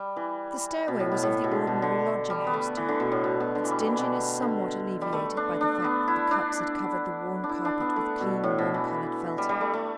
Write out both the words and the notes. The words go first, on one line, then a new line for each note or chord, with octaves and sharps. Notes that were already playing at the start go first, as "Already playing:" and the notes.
The stairway was of the ordinary lodging-house type, its dinginess somewhat alleviated by the fact that the Cupps had covered the worn carpet with clean warm-coloured felting.
Already playing: G3
E3
B2
A2
B2
A2
B2
D3
B2
D3
G3
B3
A3
E3
D3
B2
A2
B2
B2
D3
E3
G3
E3
B2 D3
D3
G3
A3
D4
D4
B3
E4
D4
D4
E4
D4
B3
A3
B2
A2
B2
E3
G3
G3
A3
A3